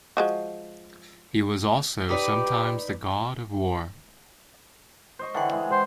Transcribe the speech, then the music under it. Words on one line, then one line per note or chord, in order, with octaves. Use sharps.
He was also sometimes the god of war.
F3 G#3 F#4
D#4 G4 B4 D5
C5 D#5 C#6
D3 E3 G#4 F#5 G5
E3 G#3
C5